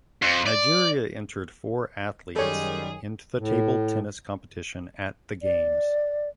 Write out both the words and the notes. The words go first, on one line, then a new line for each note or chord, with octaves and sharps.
Nigeria entered four athletes into the table tennis competition at the Games.
F2
D5
F#2 D#3 G3 G#3 G#4 A4 C#5
A2
D5